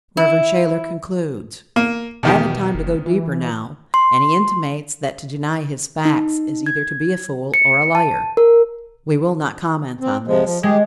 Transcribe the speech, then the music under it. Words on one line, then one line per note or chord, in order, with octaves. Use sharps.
Rev. Shayler concludes: "Haven't time to go deeper now," and he intimates that to deny his 'facts' is either to be a fool or a "liar." We will not comment on this.
E4
A#3
E2 B2 D#3 G4
F#1
E3
C6
D#4
G#6
C#7
A5
A#4
C4
C3 F3 G#3
F3
G#3 G4 G#4